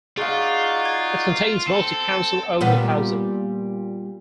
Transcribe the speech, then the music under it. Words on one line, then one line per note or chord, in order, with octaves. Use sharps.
It contains mostly council-owned housing.
D#4 F4 F#4 G#4 D5 F5
G#6
C4 A4
A#2 G3 B3